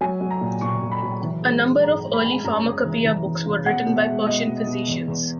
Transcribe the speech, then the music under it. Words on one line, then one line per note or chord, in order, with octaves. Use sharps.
A number of early pharmacopoeia books were written by Persian physicians.
F#3 G#5
F#3
A#5
A#2
A#2 C#6
F#3
B5
F#3
E3
G#3
G#3
G#2 A#5
G#3
B5
G#3
F#2 A#5
C#3
E3
E3
E3
C#3
B2 F#5
B2
E5
G#3
B2 D#5
B2
B2
E2
E2